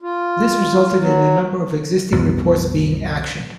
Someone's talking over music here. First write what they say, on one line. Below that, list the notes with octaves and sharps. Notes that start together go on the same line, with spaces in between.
This resulted in a number of existing reports being actioned.
F4
F#3
C2 F#2 B3